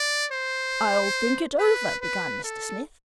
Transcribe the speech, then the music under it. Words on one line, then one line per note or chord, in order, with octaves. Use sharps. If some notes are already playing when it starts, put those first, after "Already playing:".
'I'll think it over--' began Mr Smith.
Already playing: D5
C5
B4
B4
A4